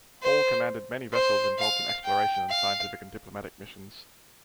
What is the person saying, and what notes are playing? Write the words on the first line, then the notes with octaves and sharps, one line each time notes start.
Hall commanded many vessels involved in exploration and scientific and diplomatic missions.
C5
C5
F5
G5
F5